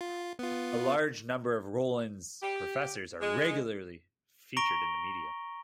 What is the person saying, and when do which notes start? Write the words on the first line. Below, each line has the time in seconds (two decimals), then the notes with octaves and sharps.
A large number of Rollins professors are regularly featured in the media.
0.01 F4
0.39 B3 F4
2.42 G4
3.21 G#3
4.57 A#5 C#6 A#6 D7 F7 G7